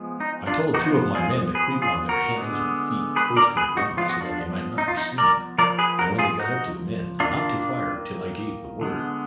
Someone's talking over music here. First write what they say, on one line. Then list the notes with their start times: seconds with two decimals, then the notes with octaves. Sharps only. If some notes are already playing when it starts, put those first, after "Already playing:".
I told two of my men to creep on their hands and feet close to the ground, so that they might not be seen, and when they got up to the men, not to fire till I gave the word.
Already playing: F3 G#3 B3
0.20 D#4
0.47 D4 F4
0.74 F3 B3 D#4 F#4
1.15 F4 G#4
1.55 G#4 B4
1.82 F4 G#4
2.09 F#4 A#4
2.36 D3 G#3 B3
3.16 G#4 B4
3.37 A#4 D5
3.57 G#4 B4
3.77 D#4 F#4
3.97 F3 G#3 B3 F4
4.09 F#4
4.21 D4 F4
4.78 D#4
4.88 F4
4.97 D#4
5.18 A#4 D5
5.58 F3 A#3 A#4 D5
5.79 G#4 B4
5.99 F#4 A#4
6.19 F4 G#4
6.40 D#4 F#4
7.20 D#3 A#3 D4 F4
8.81 D3 G#3 B3